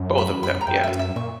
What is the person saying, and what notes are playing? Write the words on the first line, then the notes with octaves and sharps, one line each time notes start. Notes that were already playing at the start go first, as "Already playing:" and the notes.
Both of them. Yes.
Already playing: F#2
B5
B5
A#5
F#2 G5
E5
E5
A#2 C#6